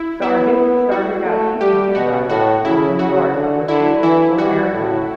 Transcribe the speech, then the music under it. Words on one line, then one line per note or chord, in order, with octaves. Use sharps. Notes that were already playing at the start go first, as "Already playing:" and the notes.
Sargent started out teaching kindergarten in New York for Teach for America.
Already playing: E4
B3 E4
F#4
A3
G3 G4
B2 F#4
A2 F#4
C#3 E4
C#3 F#4
D3
D3 E4
E3 E4
G3 F#4
A2